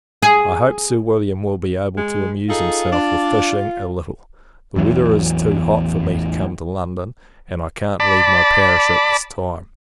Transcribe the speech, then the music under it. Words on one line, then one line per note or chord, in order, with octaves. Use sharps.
I hope, Sir William will be able to amuse himself with fishing a little. The weather is too hot for me to come to London, and I can't leave my parish at this time.
G#4
G#3
D#4 F4 G#4 A4
D4
A1 E2 E3 F#3
D5 A5 B5